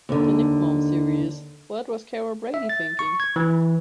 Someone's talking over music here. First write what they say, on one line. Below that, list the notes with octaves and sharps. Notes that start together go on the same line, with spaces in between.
The NickMom series What Was Carol Brady Thinking?
D#2 D3
E5
A6
C#6
G#6
E3